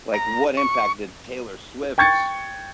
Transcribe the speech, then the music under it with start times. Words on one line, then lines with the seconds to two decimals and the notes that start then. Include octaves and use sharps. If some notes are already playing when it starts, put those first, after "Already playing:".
Like, what impact did Taylor Swift's,
0.14 A#5
0.57 C#6
1.98 G5 C#6 G#6 A6 C#7